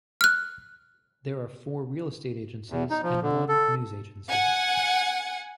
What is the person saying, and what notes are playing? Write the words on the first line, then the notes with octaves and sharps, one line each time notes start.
There are four real estate agencies and one news agency.
F6 F#6
E2
D#4
F3
D3
A4
F#5 G#5